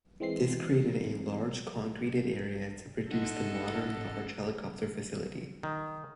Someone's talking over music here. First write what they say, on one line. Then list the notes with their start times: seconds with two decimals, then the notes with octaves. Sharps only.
This created a large concreted area to produce the modern, large helicopter facility.
0.20 E3 G#3 C4 C7
3.11 C#4 D#4 A4 D#5 E5 F#5
5.63 D#3